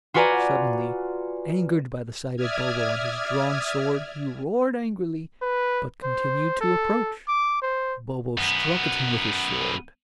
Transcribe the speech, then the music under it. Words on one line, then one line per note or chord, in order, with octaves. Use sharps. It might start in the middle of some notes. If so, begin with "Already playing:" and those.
Suddenly, angered by the sight of Bobo and his drawn sword, he roared angrily, but continued to approach. Bobo struck at him with his sword.
F4 F#4 B4 D5 G#5 A#5
D5 E5 D#6 F6 G#6
B4
C5
A4
D6
C5
F#2 B3